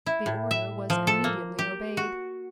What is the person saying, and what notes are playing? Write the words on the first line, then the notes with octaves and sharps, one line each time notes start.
The order was immediately obeyed.
E4
A2
E5
F3
A4
A#3
G4
F#4